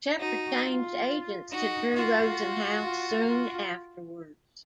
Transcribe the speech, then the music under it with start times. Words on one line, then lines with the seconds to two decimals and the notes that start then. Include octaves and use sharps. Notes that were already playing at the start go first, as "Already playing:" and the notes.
Sheppard changed agents to Drew Rosenhaus soon afterwards.
0.20 D#4 F#4
0.64 F4
1.51 D#4 F#4
1.95 F4 F#4
2.39 F4
2.83 F4
3.27 F4